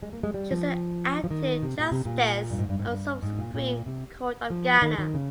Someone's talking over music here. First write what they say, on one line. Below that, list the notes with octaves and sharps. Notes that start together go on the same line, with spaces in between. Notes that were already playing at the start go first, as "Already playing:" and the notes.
She is an active justice of the Supreme Court of Ghana.
G#3
A#3
G#3
G3
F3
F3
D#3
C3
A#2
C3
A#2
G2
G#2
G2
G#2
G2
G#2
A#2
A#2
C3
F3
D#3
D#3
C#3